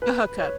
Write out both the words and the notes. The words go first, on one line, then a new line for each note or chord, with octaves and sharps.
A hookup.
B4
C#5